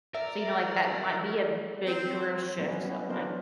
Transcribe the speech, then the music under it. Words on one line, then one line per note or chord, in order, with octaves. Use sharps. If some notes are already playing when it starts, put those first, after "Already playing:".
so, you know, like, that might be a big career shift, so, like,
A#4 D5 E5
C4
F#3 G3 A#3 B3 C#4
B3 C#4
F#3 A#3 B3 D4 A#4 C5